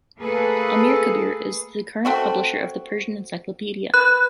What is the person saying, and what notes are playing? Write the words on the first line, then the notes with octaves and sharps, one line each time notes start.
Amirkabir is the current publisher of The Persian Encyclopedia.
A3 A#3 G#4 A4 B4
A3 C4 F#4
B4 F#6